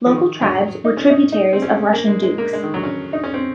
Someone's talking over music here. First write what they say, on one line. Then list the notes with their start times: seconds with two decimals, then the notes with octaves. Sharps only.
Local tribes were tributaries of Russian dukes.
0.06 F3
0.11 D#3
0.41 F#3
0.85 D#4
0.97 C#4
1.10 D#4
1.32 D#4
1.53 C4
1.62 C#4
1.93 A#3
2.08 G#3
2.23 G#3
2.38 A#3
2.53 G#3
2.63 D#3
2.74 F#3
2.83 C#4
3.13 D#4
3.24 C#4
3.34 C4